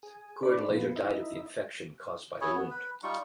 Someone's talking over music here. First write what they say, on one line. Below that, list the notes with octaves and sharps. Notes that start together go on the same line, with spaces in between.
Gordon later died of the infection caused by the wound.
G#4
D4 B4 D5
A#2 F3 B3
D#4 E4
E4 G#4 C#5
B3
B4
G3 D#4 F4 C#6